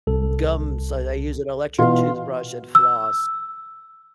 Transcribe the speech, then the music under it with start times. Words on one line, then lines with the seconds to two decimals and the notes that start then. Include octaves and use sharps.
Gums, I I use an electric toothbrush and floss.
0.07 C2 A4
1.79 B2 E3 F4 F5
2.75 E6